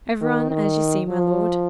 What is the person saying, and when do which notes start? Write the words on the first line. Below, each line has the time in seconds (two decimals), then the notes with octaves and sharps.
"Everyone, as you see, my lord."
0.22 D#3
0.50 D#3
1.09 F3